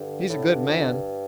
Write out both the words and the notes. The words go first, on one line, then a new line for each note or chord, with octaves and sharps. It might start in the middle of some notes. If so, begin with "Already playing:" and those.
He's a good man.
Already playing: G2 D3
A2 D3
G2
F2
G2